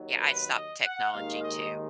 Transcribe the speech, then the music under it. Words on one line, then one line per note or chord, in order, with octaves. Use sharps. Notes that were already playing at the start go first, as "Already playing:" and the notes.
Yeah, I stopped technology too,
Already playing: D#2 D#3 F#3
B4
D#5
F#5
D#2 D#3 G#3 D#4 F5
D#5